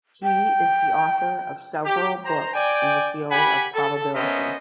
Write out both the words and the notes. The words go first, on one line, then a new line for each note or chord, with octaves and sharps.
He is the author of several books in the field of probability.
G5
G4
C5 A#5
D5 G5 G#5
G4 F#5 G#5 B5
A4
B3 C#4 A#4 C5 D#5 E5